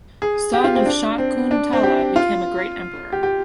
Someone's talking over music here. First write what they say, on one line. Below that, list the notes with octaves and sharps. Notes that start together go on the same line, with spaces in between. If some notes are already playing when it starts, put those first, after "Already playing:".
Son of Shakuntala became a great emperor.
G#4
G4
F4
C4
D4
C4
D4
C4
G4
F4
G4
G4